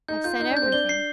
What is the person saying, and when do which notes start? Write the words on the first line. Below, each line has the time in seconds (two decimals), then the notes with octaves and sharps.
I've said everything....
0.08 D#4 G6
0.24 F4 G6
0.40 D#4 G6
0.51 D4
0.57 G6
0.62 C4
0.72 D4 G7
0.89 C7